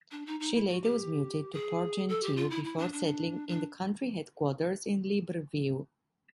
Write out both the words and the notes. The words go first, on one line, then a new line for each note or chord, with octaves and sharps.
She later was muted to Port-Gentil before settling in the country headquarters in Libreville.
D4
D#4
D#4
E4
F#4
G4
G#4
A4
G4
F4
E4
E4
D4
D4
D4